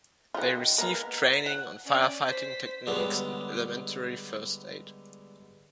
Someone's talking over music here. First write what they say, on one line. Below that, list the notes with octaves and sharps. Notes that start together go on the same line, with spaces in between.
They received training on fire fighting techniques and elementary first aid.
D#3 G3 F4 F#5
G#3 A#3 B3 A#4
F#5
C#4 D5
C5 B6
D3 G3 G#3 B3 C#4